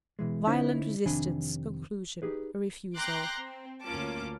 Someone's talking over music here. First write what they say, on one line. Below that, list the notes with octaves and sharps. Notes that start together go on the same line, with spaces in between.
Violent resistance; conclusion: a refusal.
B2 E3 G#3
D3 C#4 D#4 E4 C5
F2 C3 D#3 D4 G#5 B5
D#4 G4 G#4 B4
G5 A#5 C6 D6 F#6 G6
C4
D2 A#3 C#4 F4 A5 D6